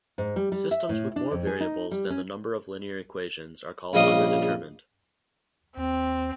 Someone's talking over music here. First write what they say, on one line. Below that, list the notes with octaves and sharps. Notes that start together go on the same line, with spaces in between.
Systems with more variables than the number of linear equations are called underdetermined.
G#2
G3
G3
E5
A2
D4
F2
G#4
D#4
G3
C#4
A#1 C#3 G3 D#5 F5 D#6
D#2 C4